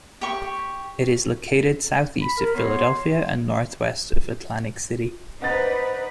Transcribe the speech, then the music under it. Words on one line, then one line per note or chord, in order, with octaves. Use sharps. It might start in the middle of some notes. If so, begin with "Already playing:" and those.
It is located southeast of Philadelphia and northwest of Atlantic City.
G4 C#6
B5
A#4
B3 C#5 C6
D#4 B4 C5 D5 F#5 A6